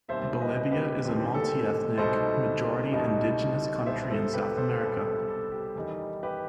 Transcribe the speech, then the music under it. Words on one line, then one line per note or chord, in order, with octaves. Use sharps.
Bolivia is a multiethnic, majority indigenous country in South America.
E1 D#2 D#3 G3 C4 C5 E5
B4 D#5
G4 B4
E1 D#2 D#3 G3 C4
A4
C2 B2 G3 D#4 A4 C5
C2 B2 G3 D#4
C2 B2 G3 B3 C5 E5
A4 C5
G4 B4
A4 C5
C2 B2 G3 B3 A4 C5
A4
A4
G4
E2 D#3 G3 D#4
G4 B4